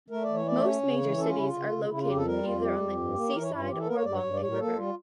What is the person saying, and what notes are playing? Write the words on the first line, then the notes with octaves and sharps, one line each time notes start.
Most major cities are located either on the seaside, or along a river.
A3 A#4
D5
E3
C#5
A3 D5
C#4 C#5
C#3
E3
C#4 A4
F4
C#3 E4
F4
C#3
C#3
F4
C#3 E4
F4
F2 G4
A4
G3 A#4
F2 F4
G3 G4
F2
G2
A#3
C#5
E3 A#4
C#5
G2 E4
F4
E3 G4
A4
A#3 A#4
C#5
G2 D5
C#5
G2
D5
A2 C#5
A#4
A#3 A4
G3 F4